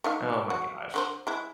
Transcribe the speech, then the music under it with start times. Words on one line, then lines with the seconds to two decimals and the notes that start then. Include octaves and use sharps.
Oh my gosh.
0.04 A3 D#4 F5
0.50 F#4
0.94 D3 C#4 C5
1.27 G#3 E4